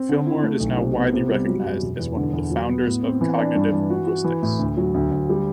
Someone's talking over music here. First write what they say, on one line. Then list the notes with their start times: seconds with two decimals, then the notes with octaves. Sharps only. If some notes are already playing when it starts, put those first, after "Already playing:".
Fillmore is now widely recognized as one of the founders of cognitive linguistics.
Already playing: C4
0.09 D3
0.26 E4
0.43 A3
0.60 B1
0.78 C3
0.96 B3
1.13 C3
1.30 G3
1.48 F#3
1.64 F#2
1.82 E1
1.99 E2
2.17 D3
2.33 E2
2.51 F#3
2.69 B3
2.86 A2
3.03 C4
3.21 E3
3.38 D4
3.55 G2
3.73 E3
3.90 F#4
4.07 F#4
4.24 E3
4.42 A2
4.59 D2
4.77 F#3
4.94 D2
5.11 D2
5.29 G3